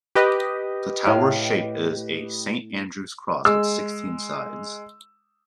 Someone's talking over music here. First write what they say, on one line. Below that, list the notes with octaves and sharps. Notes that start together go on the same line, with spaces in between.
The tower's shape is a Saint Andrew's Cross with sixteen sides.
G4 B4 D#5
A2 F5
G#3 E6